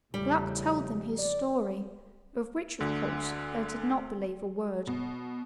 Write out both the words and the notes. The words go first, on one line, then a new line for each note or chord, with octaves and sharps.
Gluck told them his story, of which, of course, they did not believe a word.
E2 A2 C#3 F3 G3
D5
D2 D3
B2